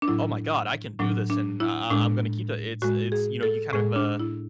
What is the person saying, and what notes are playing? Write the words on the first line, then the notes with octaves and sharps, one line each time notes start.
"Oh my God, I can do this and I I I'm gonna keep it." It's it's, you know, you kinda have a
D4
A2 F#3 E4
A2 F#3 D4
D4
E4
A2 G#3 D4
A2 G#3 F#4
G#4
A4
A2 G#3 G#4
D4
E4